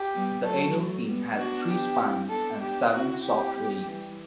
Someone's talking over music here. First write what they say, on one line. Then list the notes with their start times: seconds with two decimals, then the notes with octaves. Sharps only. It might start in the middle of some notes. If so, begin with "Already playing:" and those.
The anal fin has three spines and seven soft rays.
Already playing: G4
0.13 G3 B3
0.44 F#3 A3 A4
1.06 G3 B3
1.37 B3 D4 F#4
1.68 G4
1.99 C4 E4
2.29 B3 D4 A4
2.61 G4
2.92 C4 E4 F#4
3.22 G4
3.54 G3 B3
3.85 E3 G3